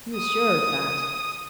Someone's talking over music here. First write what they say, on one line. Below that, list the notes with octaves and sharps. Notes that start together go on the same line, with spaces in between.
He was sure of that.
D#6